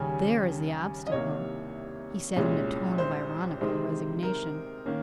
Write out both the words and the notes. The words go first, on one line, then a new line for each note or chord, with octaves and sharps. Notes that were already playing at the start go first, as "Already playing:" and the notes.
"There is the obstacle," he said, in a tone of ironical resignation.
Already playing: D#2 C#3 G3 C#4 G#5
D#5
C2 C3 D#3 A#3 C#5
C2 A#2 G#3 C#4
C5
C3 D#3 G#3 C4 D#4
A#4
D#3 A#3 C#4